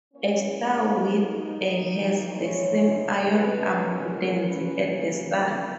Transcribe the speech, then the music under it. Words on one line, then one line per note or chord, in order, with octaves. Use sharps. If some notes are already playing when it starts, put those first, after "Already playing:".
A star with a has the same iron abundance as the Sun.
E3 A#3 C#4 C#5
D#5
D#3 A#3 D#4
E3 G#3 D#4 C#5
B2 G#3 C#4 B4
A#4
C#3 E3 A#3 C#4 B4
D#4